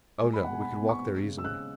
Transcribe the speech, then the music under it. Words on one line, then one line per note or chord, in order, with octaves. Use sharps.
"Oh, no, we could walk there easily."
G#3 G#5
B5
B2 F#5
G#5
B2 B5
G#5
B3
C#6
G#3
C#3
E6
C#3 F#6